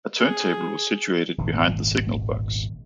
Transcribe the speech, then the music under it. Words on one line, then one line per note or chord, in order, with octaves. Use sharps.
A turntable was situated behind the signal box.
G#4
D#1 G#1 B2